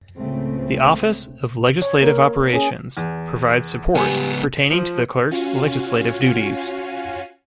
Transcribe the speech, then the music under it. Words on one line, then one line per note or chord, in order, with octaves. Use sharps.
The Office of Legislative Operations provides support pertaining to the Clerk's legislative duties.
C#2 A2 C#3 A3 C4
C#5
A#3 A#4
C#4 G#4
E2
C#2 G3 B3 G#5
F3
C#4 F4 F#4 F5 G#5